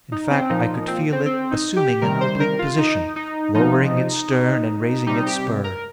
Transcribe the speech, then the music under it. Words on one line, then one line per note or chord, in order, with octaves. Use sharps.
In fact, I could feel it assuming an oblique position, lowering its stern and raising its spur.
D#4
C4
A#2 F3 D#4
C4
C4
C4
D#4
G4
C3 D#3 G3 A#4
C5
A#4
F4
D#4
D#4
C3 F3 D#4
C3 G3 D#4
G4
A#4